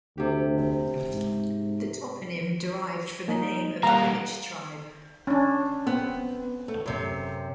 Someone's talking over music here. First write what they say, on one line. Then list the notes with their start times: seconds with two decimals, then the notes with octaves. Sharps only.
The toponym derived from the name of the Krivichs tribe.
0.18 D2 C3 G4
1.10 G#2
3.28 A#3 D#4
3.83 G3 A#3 F5 F#5 A#5
5.27 C#4 D4
5.87 B3 C4
6.68 A3
6.86 F#2 C3